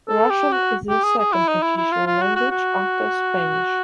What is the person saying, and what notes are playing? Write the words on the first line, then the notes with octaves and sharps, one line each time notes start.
Russian is the second official language after Spanish.
A4
G4
F#4
G4
G#4
G#4
E4
D#4
E4
E4
F4
F4
F#4
F#4
F#4